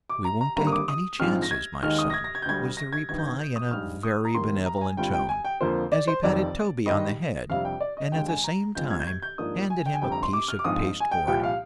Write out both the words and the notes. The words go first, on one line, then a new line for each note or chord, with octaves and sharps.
"We won't take any chances, my son," was the reply, in a very benevolent tone, as he patted Toby on the head, and at the same time handed him a piece of pasteboard.
D6
A#5
A#5
G#1 G2 D3 G3 A#3 A#5
D#6
D6
D#6
A#1 G#2 F3 C4 F6
A#6
G#6
D#2 D#3 G#3 D#4 F6
D#6
A#6
G#6
A#6
G#6
G6
D2 D3 G3 G#6
A#6
G#6
G1 G2 D#3 G#6
G6
G#6
G6
D#6
G6
A#1 G#2 G3 F6
D#6
A#5
D#2 D#3 A#3 C6
A#5
A#5
G#5
G2 D3 G3 C4 F4 G5
G5
G#5
G5
F2 D3 F3 A#3 F4 C5
D5
C5
F1 F2 D#3 D5
G#2 D#3 G3 D#5
F2 C3 G3 D4 F5
G5
D5
D#5
D#2 D3 G#3 G5
G#5
A#5
G2 F3 G#3 C4 F4 G6
G#6
G6
G#6
G6
G#2 F3 A#3 D4 D#6
G#5
G5
G#5
F1 F2 D3 G3 C4 G5
A#5
C6
D6
F6
D6
A#1 G#2 F3 C4 F4 D#6
G#5
G5
C2 A#2 F3 G5
F5